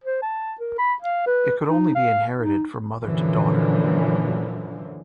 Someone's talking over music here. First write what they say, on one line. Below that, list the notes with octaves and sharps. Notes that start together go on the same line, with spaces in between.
It could only be inherited from mother to daughter.
C5
A5
A#4
B5
F5
B4
D#4
F5
D#4
F#2 A#2 D3 E3 F3